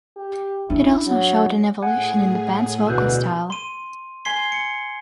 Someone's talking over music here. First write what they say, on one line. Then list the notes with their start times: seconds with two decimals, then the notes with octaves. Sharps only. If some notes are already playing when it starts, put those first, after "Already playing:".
It also showed an evolution in the band's vocal style.
0.16 G4
0.70 D4 E4
1.06 F#3
1.82 A2 G#4 F#5 G#5
2.87 D2 B2 D3 E3 E6 F#6 G6
3.50 C6 D#7
4.25 G#5 C6 G#6 B6 C7 G7
4.52 C#7